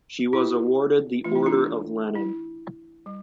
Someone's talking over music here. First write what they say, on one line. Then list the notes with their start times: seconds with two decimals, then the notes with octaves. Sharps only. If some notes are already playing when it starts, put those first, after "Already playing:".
She was awarded the Order of Lenin.
0.33 E4 G4
1.24 E3 A3 D4 F4
1.36 E4
1.46 D4 F4
2.15 E4
3.06 G3